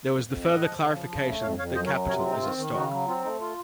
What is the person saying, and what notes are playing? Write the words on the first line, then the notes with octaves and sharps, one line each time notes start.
There was the further clarification that capital is a stock.
F2
F2
A2 D#5 F#5
F3
C#3
F3
C#3
A3
F2 C#5 F5
F2 C#5 F5
F#2 C5 D#5
A#4 C#5
F#3
C3 A#4 C#5
F4
C4
D#4
D#3 F4
D#3
C#3 D#4 F#4
F#3
C4 F4
A3 D#4
F4